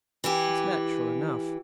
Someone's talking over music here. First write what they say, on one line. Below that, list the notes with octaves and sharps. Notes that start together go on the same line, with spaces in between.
It's natural enough.
E3 E4 G4